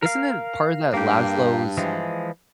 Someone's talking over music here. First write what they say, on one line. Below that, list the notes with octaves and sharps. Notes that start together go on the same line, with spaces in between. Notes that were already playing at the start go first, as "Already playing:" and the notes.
Isn't it part of that Laszlo's
A#4 F5
G2 A#3 G4
E3 F3 G#3